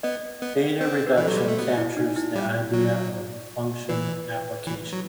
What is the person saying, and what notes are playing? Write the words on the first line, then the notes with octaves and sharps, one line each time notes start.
Beta-reduction captures the idea of function application.
B3 D#5
B3
C4 C5
B4
E3
A4
F#3 G4
G3
A3
B3 F#4
E4
D#4
E4
G3
F#3
E3 B4
E3
F#3